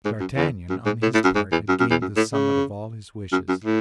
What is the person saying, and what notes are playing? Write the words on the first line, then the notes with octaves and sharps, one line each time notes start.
D'Artagnan, on his part, had gained the summit of all his wishes.
G#2
F#2
E2
F#2
G#2
A2
A2
F#2
G#2
E2
F#2
F#2
E2
F#2
A2
C#3
F#2
F#2
A2